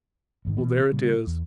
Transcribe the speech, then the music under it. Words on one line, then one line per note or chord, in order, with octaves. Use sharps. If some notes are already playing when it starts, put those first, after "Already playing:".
Well, there it is.
A1 G#2 D#3
B2 E3 B3
A#2 C#3 G3
E2